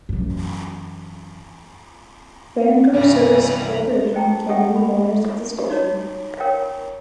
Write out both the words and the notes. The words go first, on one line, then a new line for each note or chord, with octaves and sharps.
Vanguard Service Corporation became new owners of the station.
F#2 E3
C2 G2 C#3 E3 G3 A#5 B5
C5 D#5 G5 A5 A#5
G4 A4 E5 F#5 G5
B5
D#4 F#4 C#5 D#5
A#4 C#5 F5 G5